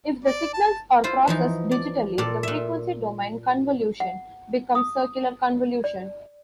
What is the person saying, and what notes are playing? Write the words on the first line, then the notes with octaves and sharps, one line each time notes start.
If the signals are processed digitally, the frequency-domain convolution becomes circular convolution.
D5
A5
E4 F4 C5
E3 F3 D#4
D5
A#2 A4 D5
A#2 E5
F#5
D#6
D5